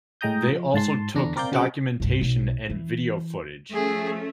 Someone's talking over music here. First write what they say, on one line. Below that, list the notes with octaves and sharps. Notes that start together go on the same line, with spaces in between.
They also took documentation and video footage.
A2 G#3 G5 A#5 D#6 G6
F3
G#2 A5 C6
E2 D3 D4 A#5
C4 A#4 D5 F5 G6
C#3 F#3 C4 G4 F#5 D6
C2 G2
B1
E3
F3 A3 C#4 G#4